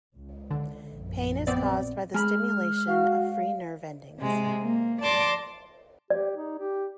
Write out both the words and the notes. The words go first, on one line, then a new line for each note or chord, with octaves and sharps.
Pain is caused by the stimulation of free nerve endings.
C#2
D3
A#1 F#2
B3 C4 D5
G#3 A#5 B5 F6
F#4 F5
C3 G#3
A#3
D5 A5 C6 D6 A#6
G4 D5
D#4
G4